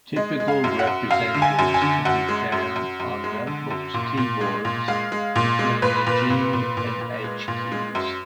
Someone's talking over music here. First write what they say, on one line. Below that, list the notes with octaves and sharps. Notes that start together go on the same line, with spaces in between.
Typical representatives can be found on notebook's keyboards between the "G" and "H" keys.
G#3 D#5
G#3
F5
F#2
F#5
F#2
F#2 F5
D3
G#5
F#2
G#5
D3
F#2 F#5
G#3
F#2
F#2
F#2
G#3
D3
F#2
A#2
A#2
G#3
A#2
G#3 F5
G#3
A#2
G#3
A#2 B4
A#2
A#2
A#2
A#2
A#2
G#3
A#2
G#3
F#2